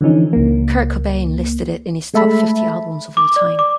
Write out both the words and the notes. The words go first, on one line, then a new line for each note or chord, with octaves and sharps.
Kurt Cobain listed it in his top fifty albums of all time.
D3 E3 F3 C#4 D#4
C#2 A#3
G#3 A3 E5 A5 B5
D6
D5
D6